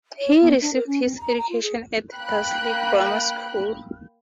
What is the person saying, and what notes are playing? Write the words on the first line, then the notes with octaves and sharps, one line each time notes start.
He received his education at Dursley Grammar School.
C#5
B3
D4
A#4
C#4
C4
A#5
A#5
F4
G#4
A#3 G5 B5 F#6